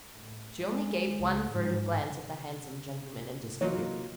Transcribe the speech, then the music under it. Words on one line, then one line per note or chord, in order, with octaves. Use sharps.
She only gave one furtive glance at the handsome gentleman, and disappeared.
A2
G#3
C#2
G#2
C3
E3 F#3 A#3 D#4 F4 F#4 C#5